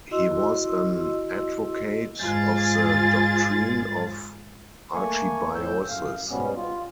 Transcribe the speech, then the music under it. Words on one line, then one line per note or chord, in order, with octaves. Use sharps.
He was an advocate of the doctrine of archebiosis.
E4 F#4 D#5 C6 E6
G#2 F4 G#4 A6
A3 A#3 G#5 C#6
A2 E6 G6
F#2 F5
G#2 B2 G3 B3 C#4
F4